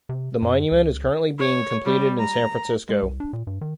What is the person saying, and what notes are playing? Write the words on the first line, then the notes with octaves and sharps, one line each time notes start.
The monument is currently being completed in San Francisco.
C3
F#2
C#2
C#5
G3
A#5
G#3
C2
D4
A#2
G2
D#3